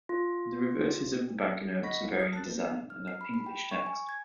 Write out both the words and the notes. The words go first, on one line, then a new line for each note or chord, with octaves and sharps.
The reverses of the banknotes vary in design and have English text.
F4
D#5 F#5 B5 C#6 A#6 B6
E4 F5 F#5
D#6 F6
A5 F#6 A6
A#3 B4
B3 F5
F6
C7
B5
B5
G5
C#6
G#5
G#6